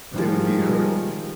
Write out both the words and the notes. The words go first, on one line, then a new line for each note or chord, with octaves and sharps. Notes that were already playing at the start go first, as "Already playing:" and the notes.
they would be hurt
D#3 F3 G3 G#3